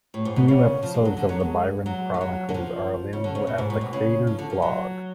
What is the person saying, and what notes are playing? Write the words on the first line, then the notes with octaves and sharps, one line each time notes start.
Newer episodes of the Byron Chronicles are available at the creators blog.
A2
G#2
B2
C#3
F3
G#3
F#3
D3
F#3
G#3
F#3
F3
F#3
D3
F3
C#3
D3
C#3
B2
G#2
A2
B2
C#3
F3
D3
F3
F#3